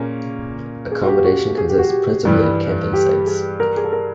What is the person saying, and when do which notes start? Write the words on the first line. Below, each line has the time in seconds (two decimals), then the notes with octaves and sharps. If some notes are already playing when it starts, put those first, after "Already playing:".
Accommodation consist principally of camping sites.
Already playing: A#2 A#3 C#4 G#4
0.92 G#4
1.01 F#4
1.07 G4
1.24 F#4
1.58 G#4
1.69 G4
1.78 F#4
1.89 G4
2.25 G2 E3 G3
2.93 G4
3.27 G#4
3.60 A#4
3.77 G#4
3.84 A4
3.93 A#4